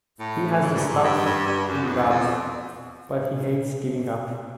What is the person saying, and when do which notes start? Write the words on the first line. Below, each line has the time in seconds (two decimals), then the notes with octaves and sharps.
He has the stuff in gobs, but he hates giving up.
0.20 A2
0.62 G#2
0.75 G2
0.87 G#2
1.03 G2
1.25 G2
1.46 G2
1.67 F#2
1.84 F2
1.89 E2
2.09 F2